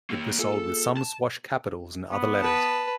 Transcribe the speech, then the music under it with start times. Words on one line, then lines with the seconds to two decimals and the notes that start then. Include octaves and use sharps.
It was sold with some swash capitals and other letters.
0.10 A#3 G4
0.39 A#3 F4 G#4 A4
0.97 A5
2.10 B3
2.42 B4 A5